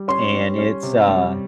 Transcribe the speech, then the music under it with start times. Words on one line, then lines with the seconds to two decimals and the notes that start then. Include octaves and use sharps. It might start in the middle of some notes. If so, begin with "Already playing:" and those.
and, it's, uh,
Already playing: G3
0.08 C#4 C6
0.33 G3
0.59 C#4
0.83 C3
1.08 G3